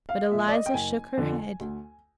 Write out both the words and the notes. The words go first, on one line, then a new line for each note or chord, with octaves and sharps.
But Eliza shook her head.
F5
A#2 F3 E5
D5
D#5
G5
F#1 G#5
F2 D3 F3
D2